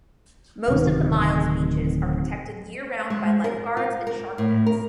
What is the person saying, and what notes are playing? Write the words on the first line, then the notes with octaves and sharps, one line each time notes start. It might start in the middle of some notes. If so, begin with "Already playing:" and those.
Most of the Mile's beaches are protected year-round by lifeguards and shark nets.
D1 C3 D#3
G#3
A#4
F4
A#4
A2
A#4